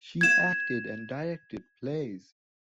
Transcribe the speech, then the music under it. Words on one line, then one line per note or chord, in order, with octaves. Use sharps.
She acted and directed plays.
G#6 E7